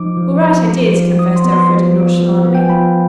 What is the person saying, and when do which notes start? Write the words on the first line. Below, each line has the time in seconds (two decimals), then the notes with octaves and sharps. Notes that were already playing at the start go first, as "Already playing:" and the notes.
"All right, I did," confessed Elfreda nonchalantly.
Already playing: F3 D#4 D6
0.17 F3
0.43 F3
0.68 F3
0.94 F3
1.19 F3 D#6
1.36 C6
1.45 B3
1.52 C6
1.69 F3
1.94 F4
2.20 F3
2.45 B3
2.55 G5
2.63 G#5
2.70 F4 B5